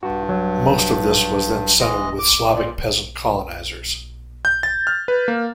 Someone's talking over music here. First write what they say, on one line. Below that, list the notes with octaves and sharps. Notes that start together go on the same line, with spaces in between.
Most of this was then settled with Slavic peasant colonisers.
G2 F#4
F#3
E3 G#3 D#5
D6
A#2 D5
G6
A6
F6
B4
A#3